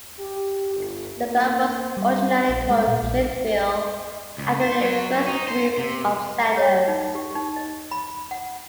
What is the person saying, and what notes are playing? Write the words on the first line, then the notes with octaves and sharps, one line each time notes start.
The borough was originally called "Smithville," after its first group of settlers.
G4
G1
A#3
G3
A#1
G#3
A#2
A#1
C#2
C5
F#3
D#4
C5
C3
C#5
D#4
G4
D#4
D#5
B5
F#5